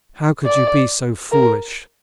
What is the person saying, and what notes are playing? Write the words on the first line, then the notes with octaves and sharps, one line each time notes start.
"How could you be so foolish?"
D5
A#4